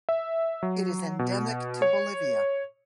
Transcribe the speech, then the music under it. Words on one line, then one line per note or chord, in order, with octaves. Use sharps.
It is endemic to Bolivia.
E5
F#3
B2
C#5